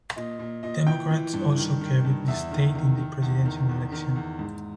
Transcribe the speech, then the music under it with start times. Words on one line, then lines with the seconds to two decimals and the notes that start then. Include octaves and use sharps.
Democrats also carried the state in the presidential election.
0.16 A#2 D#5
0.39 A#2
0.63 A#2 D#5
0.87 E3 G5
1.11 E3
1.34 G2
1.57 D#3
1.81 D#3
2.05 G2
2.28 E2 E5
2.51 D#3
2.75 D#3
2.98 D#3
3.22 E2
3.45 D#3
3.69 E2
3.92 D#3
4.16 E2
4.39 G#2